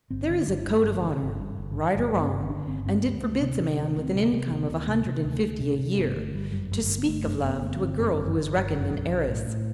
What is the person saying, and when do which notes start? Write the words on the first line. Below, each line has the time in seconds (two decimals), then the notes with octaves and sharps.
There is a code of honour, right or wrong, and it forbids a man with an income of a hundred and fifty a year to speak of love to a girl who is reckoned an heiress.
0.11 G1 C4
0.30 D3
0.47 G1 D4
0.66 G2
0.84 G1
1.02 D3
1.21 G1
1.40 G2
1.58 G1
1.77 D3
1.95 G1 G3
2.09 G2 A3
2.20 B3
2.31 G1 C4
2.44 C4
2.49 D3 D4
2.67 G1 C4
2.85 G2 C4
3.04 D2 B3
3.23 D2 A3
3.41 C3 C4
3.53 C4
3.60 C3 D4
3.77 D2 D4
3.96 D2
4.02 C4
4.15 C3
4.27 B3
4.33 C3
4.51 D2 B3
4.70 D2
4.88 C3
5.05 C3
5.24 D2
5.43 D2
5.60 C3
5.79 C3
5.98 G1 B3
6.16 D3 A3
6.35 G1 G3
6.52 F#2 G3
6.71 G1 G3
6.89 D3
6.98 B3
7.08 G1 A3
7.27 F#2
7.44 G1 B3
7.62 D3 A3
7.71 B3
7.80 G1 C4
8.00 F#2
8.18 G1
8.37 D3
8.55 G1
8.72 F#2
8.91 B1
9.09 B1
9.28 A2
9.46 A2